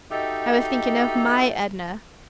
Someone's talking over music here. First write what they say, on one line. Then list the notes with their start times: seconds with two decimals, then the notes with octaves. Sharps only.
I was thinking of MY Edna.
0.11 D#4 F#4 G4 A4 D#5 E5